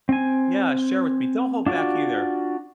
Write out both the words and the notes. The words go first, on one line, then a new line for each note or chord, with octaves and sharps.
yeah, share with me. Don't hold back either.
C4 G#5
D4 F4 F#4 D5